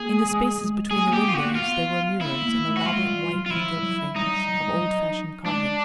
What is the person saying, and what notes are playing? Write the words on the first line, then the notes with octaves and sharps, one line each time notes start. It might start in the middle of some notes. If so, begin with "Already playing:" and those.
In the spaces between the windows there were mirrors in elaborate white and gilt frames, of old-fashioned carving.
Already playing: A#3 G#4
G#3
G#3
A3 G#4
A#3
G4
B3 F4
F#4
A#3
B3 F4
B3 E4
A#3
A3
F#4
G#3 F4
G3
F#3
F4
F3 E4
G3
F#3
G3 D#4
F#3
G3
F#3
G#3 D4